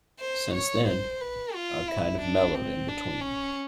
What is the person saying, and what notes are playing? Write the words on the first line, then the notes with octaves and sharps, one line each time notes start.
Since then, I've kind of mellowed in between.
C5
C#5
C5
B4
F4
E4
D4
C4
D4
C#4